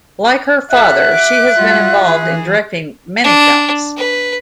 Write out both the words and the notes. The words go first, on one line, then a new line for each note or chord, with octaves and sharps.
Like her father, she has been involved in directing many films.
F#4 A4 E5 F#6
D6
G3 F4 F#4
E3 G#4
D4
B4